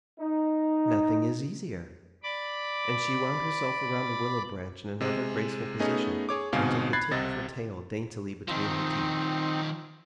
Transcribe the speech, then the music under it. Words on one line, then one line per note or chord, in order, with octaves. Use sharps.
"Nothing is easier." And she wound herself around the willow branch in another graceful position, and took the tip of her tail daintily between her teeth.
D#4
D5 B5 D6
C3 G#3
A3 B3 C#4 D#4 G#4 D#5
G#4 C#5 D6
G1 G#2 B2 C4 F5 G#5
B5 F#6 G#6 A6 C7
C2 C3 D#5 A6
D#3 F3 C4 D#4